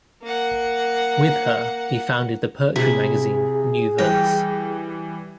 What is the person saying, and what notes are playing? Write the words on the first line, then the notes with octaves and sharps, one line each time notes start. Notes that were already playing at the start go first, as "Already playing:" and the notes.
With her, he founded the poetry magazine "New Verse".
A#3 F#5
C3 E4 G#4
E3 G3 B4 G5 A#6